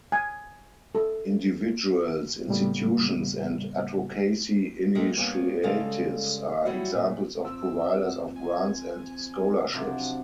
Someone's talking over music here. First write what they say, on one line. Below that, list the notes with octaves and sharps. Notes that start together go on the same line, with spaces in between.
Individuals, institutions, and advocacy initiatives are examples of providers of grants and scholarships.
G#5
A4
A2 C#3 G3 A#3 B3
G#3 A#3 D#4 G4 A4
G2 A#3 B3 C#5 F5 G#5
C#3 G3 G#3 A4 D#5 F5
F#3 G3 D#4 E4 F#4
A#2
F#2 F3 C4 E6
G#1 G#5
F#2 C3 F3 D4